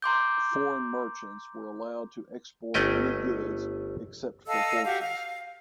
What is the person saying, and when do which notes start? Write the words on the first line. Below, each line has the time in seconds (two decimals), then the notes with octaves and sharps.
Foreign merchants were allowed to export any goods except for horses.
0.02 A#5 C6 D6 G6
2.74 G1 A3 C#4 D#5 G5
4.46 A4 D#5 F5 E6
4.85 F#4 G4 F5
5.01 F5